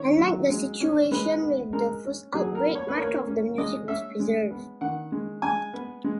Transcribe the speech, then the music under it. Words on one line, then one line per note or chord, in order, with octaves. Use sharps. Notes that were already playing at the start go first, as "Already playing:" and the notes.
Unlike the situation with the first outbreak, much of the music was preserved.
Already playing: D#3 C#5
F#3
G#3
C#4
G#3 B4
B3
G#3 A#4
C#4
F#3 G#4
A#4
B3
C#5
B4
A#3 C#5
C#4
G#3 D#5
C#4 E5
G#3
B3
D#3 F#5
G#3
G#3 G#5
B3
G#3